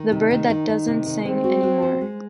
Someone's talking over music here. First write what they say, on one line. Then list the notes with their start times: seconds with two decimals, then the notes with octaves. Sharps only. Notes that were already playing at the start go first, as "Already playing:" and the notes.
The bird that doesn’t sing anymore.
Already playing: D#3
0.12 C3 D#4
0.31 D#3
0.50 D#3
0.69 D#3
0.88 C3
1.06 D#3
1.25 G#3 C4
1.44 F#4
1.63 F#4
1.82 C5
2.01 G#3